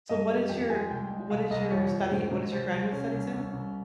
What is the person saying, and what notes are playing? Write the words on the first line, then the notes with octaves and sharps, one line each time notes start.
So what is your what is your study; what is your graduate studies in?
G2 D#5
G3
F2 G5
G#3 G#5
C2 G5
G#3
C2 F5
C2 D#5
F2 C#5
F2
G#2 C5
G#2
C2 C5
C2
C2 C#4
C2
C2
C2